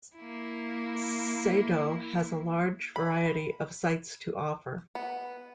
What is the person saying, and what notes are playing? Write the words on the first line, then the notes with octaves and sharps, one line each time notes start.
Sado has a large variety of sights to offer.
A#3 E4
B5
B3